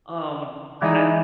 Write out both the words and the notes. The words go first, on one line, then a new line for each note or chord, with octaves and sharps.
Um, I
E3 G#3 D4 D#4